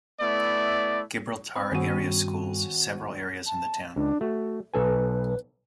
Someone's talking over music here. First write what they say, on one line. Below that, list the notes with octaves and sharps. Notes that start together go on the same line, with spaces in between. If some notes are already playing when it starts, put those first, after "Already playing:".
Gibraltar Area Schools several areas in the town.
A3 B3 E4 D5
C4 B5 D#6 E6
G2 D#3 B3 C#4 F#4 D#7
A5
C#2 D4
A3 F#4
B1 A4 B4 G#5